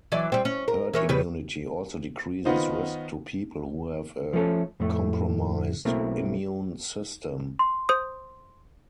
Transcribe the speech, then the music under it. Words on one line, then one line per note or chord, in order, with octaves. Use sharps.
Herd immunity also decreases risk to people who have a compromised immune system.
E3 F#3 D5
G3 C4
C#4
A#4
E3 A#4 C#5
C#3 G3 B4
D#3 B3 D#4 F4 C5
F3 A3 C#4 A4
F2 A2 A3
B1 A3 A#3 C4 E4
C6
C5 D#6